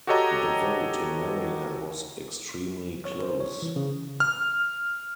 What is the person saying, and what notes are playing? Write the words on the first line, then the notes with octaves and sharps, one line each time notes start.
The vote in Maryland was extremely close.
F#4 G4 A4 C#5 D#5 A#5
C#5
C5
C#5
E3
C#3
F6